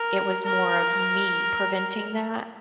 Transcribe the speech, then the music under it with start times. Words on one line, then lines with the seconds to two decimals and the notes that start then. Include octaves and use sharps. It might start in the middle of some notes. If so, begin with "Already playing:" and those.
it was more of me preventing that
Already playing: A#4
0.45 A#4